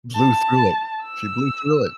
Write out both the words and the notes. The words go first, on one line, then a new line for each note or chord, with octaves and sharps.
Blew through it. She blew through it.
A5
E6